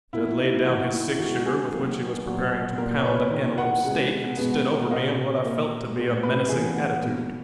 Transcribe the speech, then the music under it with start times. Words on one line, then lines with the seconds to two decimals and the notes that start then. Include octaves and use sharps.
Jud laid down his six-shooter, with which he was preparing to pound an antelope steak, and stood over me in what I felt to be a menacing attitude.
0.13 B2 A#3 E4
0.39 D#4
0.65 D#3 A#3 F#4
0.93 E4
1.18 D#3 G#3 B3 F#4
1.46 G#4
1.72 D#3 F#3 A#3
2.25 A#2 F#3 B3
2.78 A#2 A#3 A#4
2.98 C#5
3.05 B4
3.31 D#3 A#3
3.58 F#5
3.84 C#3 G#3 B3
4.37 B2 G#3 B3
4.90 A#2 A#3 D#5
5.43 A#2 A#3
5.97 A#2 G#3 B3
6.23 B4
6.49 C#3 E3 B3 G#4
6.76 F#5
7.03 B2 A#3